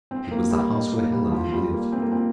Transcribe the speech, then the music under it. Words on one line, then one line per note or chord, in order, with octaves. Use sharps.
It was the house where Helen had lived.
C4
A#3
G3
D#4
A#3
G3
F3
G3
A#3
C4
A#3
C4